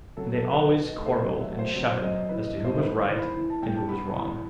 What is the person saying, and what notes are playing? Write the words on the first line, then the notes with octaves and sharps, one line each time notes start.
And they always quarrelled and shouted as to who was right and who was wrong.
F#3 A4
A4
B2
B4
D#3 B4
D#5
A3
C5
F#3 D#5
E5
B2
C5
F#3
C5
F#2 D#5
D#5
E3 B4
D#5
G2
C5
D#5
C5
D#3 B4
C5
E2
B5
E3
A5
G2 G5
A5
B2 B5
E2